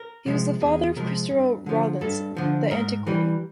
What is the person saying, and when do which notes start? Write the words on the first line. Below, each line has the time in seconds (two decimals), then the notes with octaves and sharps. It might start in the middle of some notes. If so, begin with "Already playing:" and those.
He was the father of Christopher Rawlinson the antiquary.
Already playing: A#4
0.26 C3 F3 G#3
0.61 E2 G#4
0.96 C3 F3 G#3 A#4
1.30 G2
1.66 D3 F3
2.01 G2 A4
2.37 D3 F3
2.71 G#2 A#4
3.07 E3 G3